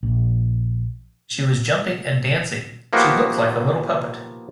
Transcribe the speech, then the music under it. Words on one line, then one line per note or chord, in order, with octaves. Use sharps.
She was jumping and dancing; she looked like a little puppet.
A#1
F3 A#3 B3 D#4 F#4 G4